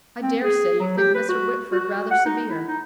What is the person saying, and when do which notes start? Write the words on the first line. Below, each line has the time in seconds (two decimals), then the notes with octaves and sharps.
I dare say you think Mr. Whitford rather severe.
0.22 C4
0.43 G#4
0.80 F#3
0.97 G4
1.14 B4
1.29 F#4
1.72 F#4
2.11 F#5
2.25 D#4
2.49 E4
2.68 D#4